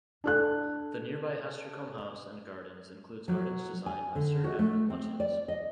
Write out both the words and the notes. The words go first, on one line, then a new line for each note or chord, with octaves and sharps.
The nearby Hestercombe House and Gardens includes gardens designed by Sir Edwin Lutyens.
D4 A4 F#6
F#3
G#5
D3
F#4
A3
C4
D5
D#5